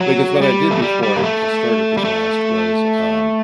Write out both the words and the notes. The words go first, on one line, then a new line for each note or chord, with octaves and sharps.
because what I did before I I started to fast was, um,
F#3
G3
A3
G3
G3
A#3
A3
G3
A3